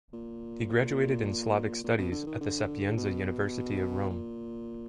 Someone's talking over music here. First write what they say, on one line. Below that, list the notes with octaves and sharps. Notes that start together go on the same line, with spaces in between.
He graduated in Slavic Studies at the Sapienza University of Rome.
A#2
A#2
B2
D3
D#3
D3
B2
A#2